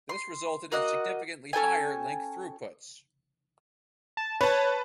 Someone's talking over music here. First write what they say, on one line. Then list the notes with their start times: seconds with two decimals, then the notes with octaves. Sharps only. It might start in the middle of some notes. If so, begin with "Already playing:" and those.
This resulted in significantly higher link throughputs.
0.09 C6
0.72 A#3 F#4 D#5 F#5
1.53 C#4 A4 G5 G#5
4.17 A5
4.41 B4 C#5 A5